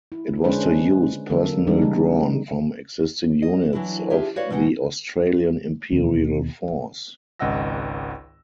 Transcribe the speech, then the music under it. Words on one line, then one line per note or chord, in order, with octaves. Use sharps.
It was to use personnel drawn from existing units of the Australian Imperial Force.
E4
D3 G#3 C#4 D4 B4 C5
D3 F#3 A#3 A4
E3 G3 G#3 C4 D4 D#4
C#3 E3 G3
D#5
E3 F#3 D4 E4
D4 F4 G4 G#4 E5
F#4 B4 C#5 D5 F5
B2 E3 G#3 D#4 F#5 G5
D#2 B2
G#1 C#2 D#5 F#5 E6 A#6